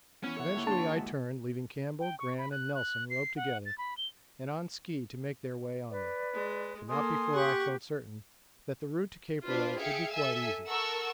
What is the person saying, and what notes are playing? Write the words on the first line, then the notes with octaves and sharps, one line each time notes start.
Eventually I turned, leaving Campbell, Gran, and Nelson roped together and on ski to make their way onward, but not before I felt certain that the route to Cape Royds would be quite easy.
E3 B3 C#4 E4
A4 C#5 E5 F#5
D#2 D3 E4
D4 A5 C6
G#4
G#3 F#4 E5
G5
C#6
B5
F#6
F#6
C7
F#5
A6
B5
G7
B4 D5
G#3
A#3 A4 G#5 C6 D#6
G4 F#5 C#6
D4 F4 B4 C5
G#4 E5 F5 G5 C#7
A4 E5 G#5 E6
A4 A#4 F#5 C#6 E6